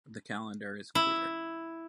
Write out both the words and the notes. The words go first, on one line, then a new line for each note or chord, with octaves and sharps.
The calendar is clear.
E4